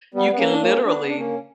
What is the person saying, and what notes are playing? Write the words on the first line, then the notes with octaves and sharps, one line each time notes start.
you can literally
G3 B3
B3
A#3 C#4
D4
A#3 C#4
B3 D4
D4
A#3 C#4